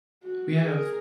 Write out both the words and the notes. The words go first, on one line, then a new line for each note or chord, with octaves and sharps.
We have
F#4
G#4 A#4